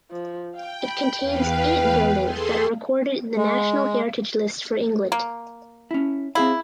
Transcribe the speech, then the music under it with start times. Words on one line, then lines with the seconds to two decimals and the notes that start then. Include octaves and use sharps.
It contains eight buildings that are recorded in the National Heritage List for England.
0.11 F3
0.54 F5 G5
0.84 B5
1.21 E2 B4 F5 G5
2.21 G#4 A4 C6
3.36 G#3
5.12 A#3
5.91 C#4 E4
6.35 C4 E4 G#4 F5